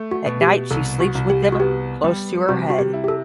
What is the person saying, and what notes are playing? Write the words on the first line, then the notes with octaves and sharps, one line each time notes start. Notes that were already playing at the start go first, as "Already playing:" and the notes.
At night she sleeps with them close to her head.
Already playing: A3
F#4
B2
G4
C2 A4
F#4
C2
G4
F#4
B3 G4
G3
C3 F#4
F#4
G4
E4
G4
A4